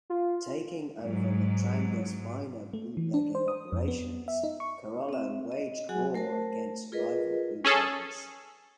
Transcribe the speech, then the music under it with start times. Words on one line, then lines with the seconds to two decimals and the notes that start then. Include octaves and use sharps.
Taking over Matranga's minor bootlegging operations, Carollo waged war against rival bootleggers.
0.10 F4
0.99 G#2 F#3
2.73 A3
2.97 E3
3.14 D4
3.35 C5
3.48 D#6
3.72 F2
3.88 B3
4.28 E5
4.43 D#4
4.60 C#6
5.09 C4 E5
5.52 D#5
5.89 F#3 F#4 G#4 F#5 G#5
6.14 A3 A#4 C5 A5
6.92 F4 G#4 A#4 B4 D#5
7.64 C#4 G#4 A4